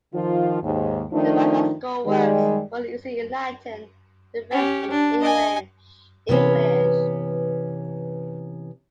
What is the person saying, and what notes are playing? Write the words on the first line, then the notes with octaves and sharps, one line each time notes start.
The biological works were usually in Latin, the rest in English.
D#3 F3 F4
D#2 G#2
D#3 F3 A3 D4 D#4
D#3 G3 G#3
C#4 G4
D4
D#5 G#5
C3 E3 B3 C#4